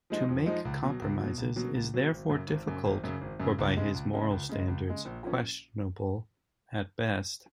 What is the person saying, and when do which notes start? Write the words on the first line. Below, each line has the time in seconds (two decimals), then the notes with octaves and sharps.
To make compromises is therefore difficult, or by his moral standards questionable at best.
0.10 F3 G#3 D#4
0.29 F2
0.46 F3 G#3 D#4
0.65 C#2
0.83 B2 F#3
1.02 C#2
1.19 B2 F#3
1.38 C#2
1.56 B2 F#3
1.75 C#2
1.94 B2 F#3
2.11 G#1
2.29 F#2 C#3
2.48 G#1
2.66 F#2 C#3
2.85 G#1
3.04 F#2 C#3
3.21 G#1
3.40 F#2 C#3
3.59 C#2
3.77 C#3 G#3
3.94 C#2
4.13 C#3 G#3
4.31 C#2
4.49 C#3 G#3
4.68 C#2
4.87 C#3 G#3
5.05 A#1
5.23 A#2 F3 A#3 C#4